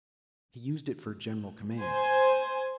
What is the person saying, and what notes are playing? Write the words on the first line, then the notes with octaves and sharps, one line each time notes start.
He used it for general commands.
C5 G#5